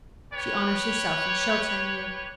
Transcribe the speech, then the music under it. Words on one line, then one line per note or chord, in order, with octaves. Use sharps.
She honors herself in sheltering you.
G4 B4 C#5